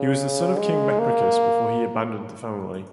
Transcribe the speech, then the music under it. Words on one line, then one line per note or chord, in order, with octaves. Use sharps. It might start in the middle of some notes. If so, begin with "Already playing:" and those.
He was the son of King Mempricius before he abandoned the family.
Already playing: C#3
G#3
A#3